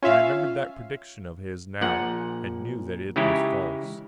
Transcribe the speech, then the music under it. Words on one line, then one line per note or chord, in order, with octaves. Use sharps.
He remembered that prediction of his now and knew that it was false.
C#4 F4 E5 F5
A#1 A#2 F#5
C#3 E3 G#3 D#4 E4 G4